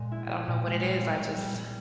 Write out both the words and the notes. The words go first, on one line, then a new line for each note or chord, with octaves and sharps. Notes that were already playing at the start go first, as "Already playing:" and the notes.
I don't know what it is. I just
Already playing: A#2 G#3
E4
G4
A#2
G#3
G3
C4
G4
G3
G3